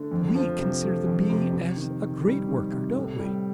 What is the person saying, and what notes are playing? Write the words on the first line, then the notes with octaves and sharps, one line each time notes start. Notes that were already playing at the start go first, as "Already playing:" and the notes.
We consider the bee as a great worker, don't we?
Already playing: D3 A3
F2
F3
C3
A3
F2
C3
C3
D#3
D#3
G3
D#3
C3
A2
G3